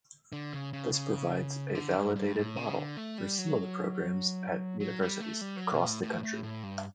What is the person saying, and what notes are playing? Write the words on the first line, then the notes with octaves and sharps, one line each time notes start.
This provides a validated model for similar programs at universities across the country.
D3
C#3
C#3
C#3
D3
G2
G2
A2
C#3
D3
A3
G3
F#3
F#3
G3
A3
G3
F#3
B2
A2
A2
A2
A2
G2